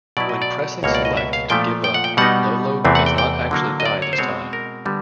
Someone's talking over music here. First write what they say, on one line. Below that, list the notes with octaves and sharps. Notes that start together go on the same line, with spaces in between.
When pressing select to give up, Lolo does not actually die this time.
B2 F#3 B3 E4 D5
D#5
D5
C#2 B2 F#3 A#3 C#5
D5
D#5
E5
F5
A#2 F3 A3 G5
G5
F#5
G5
B2 G3 B3 D#4 F#5
E2 C3 E3 A3 C4
F#5
G5
G5
D3 F#3 A#3
D#5
D5
C#5
C5
B2 G#3 C4 C#5
A#4
D3 G3 B3